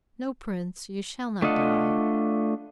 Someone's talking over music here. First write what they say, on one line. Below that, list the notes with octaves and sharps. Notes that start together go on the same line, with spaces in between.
'No, Prince, you shall not die.
A3 D4 F4 D#5 F#5